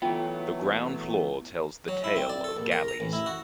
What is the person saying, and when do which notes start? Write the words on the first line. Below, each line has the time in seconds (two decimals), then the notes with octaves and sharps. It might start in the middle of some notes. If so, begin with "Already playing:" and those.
The ground floor tells the tale of galleys.
0.02 E3 F#3 A3 B3 F4 G5 A5
1.88 F#3
2.04 E4
2.16 C4
2.29 D5
2.44 A4
2.57 A#1
2.71 A#4
2.88 A#5
3.00 A1
3.13 E4
3.26 F#4